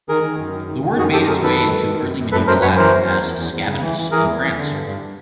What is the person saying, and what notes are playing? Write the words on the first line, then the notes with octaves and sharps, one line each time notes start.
The word made its way into early Medieval Latin as "scabinus" in France.
D#3 G#4 A#4
D#3
F#2
D#3
D#3
D#3
F#2 F#4 G#4
F#2 G4 A4
F#2 G#4 A#4
D#3 A4 B4
D#3
D#3
F#2
F#2
F#2
F#2 A4 B4
F#2 A#4 C5
F#2 B4 C#5
E3 A#4 C5
E2
E2
E2
E2
E2
C#3
E3
E3
E3 G#4 A#4
E2
E3
D3
G2
G2